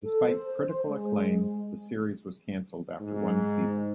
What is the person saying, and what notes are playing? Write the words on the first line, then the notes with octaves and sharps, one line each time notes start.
Despite critical acclaim, the series was cancelled after one season.
A4
C5
G#3
G#2